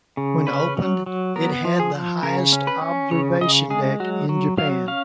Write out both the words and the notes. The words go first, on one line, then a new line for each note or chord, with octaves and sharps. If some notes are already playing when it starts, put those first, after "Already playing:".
When opened, it had the highest observation deck in Japan.
C#3
C#4 B4
F#3
F#3
B3 A#4
F3
G#4
F3
C#3 A#4
C#4
B4
C#4
C#3 C#5
C#3 D#5
G#3 G#4
F#3 F#4
F#3
F#3 F5
C#4 F5